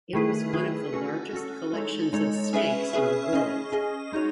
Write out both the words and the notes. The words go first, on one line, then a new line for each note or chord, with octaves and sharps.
It was one of the largest collections of snakes in the world.
D#3 A3 E4 G#4 B4
D#3 A3 E4 G#4 B4
C#4 F#4 A4
C#4 F#4 A4
G#3 D#4 A4 C#5
G#3 D#4 A4 C#5
C#4 G#4 B4 E5
C#4 G#4 B4 E5
C#4 G#4 D#5
C#4 G#4 D#5
G#3 D#4 F#4 C#5